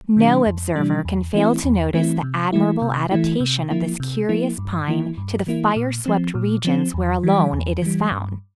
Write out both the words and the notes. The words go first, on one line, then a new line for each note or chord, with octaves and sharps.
No observer can fail to notice the admirable adaptation of this curious pine to the fire-swept regions where alone it is found.
C3 E3 G3 D4
F2
C3 E3 G3 D4
E2
E3 A3 C4 E4
E2
E3 A3 C4 E4
C3
E3 A3 E4
C3
E3 A3 E4
C3
F3 A#3 E4
C3
F3 A#3 E4
G2
E3 A#3 E4
G2
E3 A#3 E4
A#2
F3 C4
A#2
F3 C4
E2
E3 G3
E2
E3 G3
G2